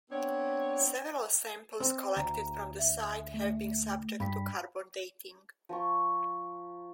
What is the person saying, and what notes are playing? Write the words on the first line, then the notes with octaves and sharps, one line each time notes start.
Several samples collected from the site have been subject to carbon dating.
B3 C4 D4 C#5
C4
D2 A#5
E5
A3
G2 B5 B6
F3 A#5 C#6